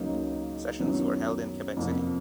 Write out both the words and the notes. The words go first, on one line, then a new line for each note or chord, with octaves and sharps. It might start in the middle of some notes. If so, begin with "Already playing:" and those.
Sessions were held in Quebec City.
Already playing: C#2 C#3 F#3 A#3 D#4
F#2 D#3 F#3 B3 E4
F2 C3 F3 A#3